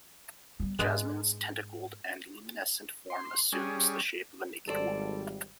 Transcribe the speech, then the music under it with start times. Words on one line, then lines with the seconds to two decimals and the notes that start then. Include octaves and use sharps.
Jasmine's tentacled and luminescent form assumes the shape of a naked woman.
0.60 G3 B3
0.79 G#2 G#3 B3 D4
3.10 C6
3.53 G3 C#4 G#4
4.67 G#1 G3 A4 C5 D5